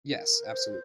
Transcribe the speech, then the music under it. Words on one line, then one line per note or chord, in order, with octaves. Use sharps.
Yes, absolute.
A#4
C5